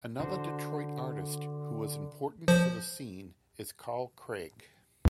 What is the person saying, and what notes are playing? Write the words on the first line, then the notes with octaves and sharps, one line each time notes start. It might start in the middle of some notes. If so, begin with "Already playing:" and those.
Another Detroit artist who was important for the scene is Carl Craig.
D3 F#4 C5
F3 C5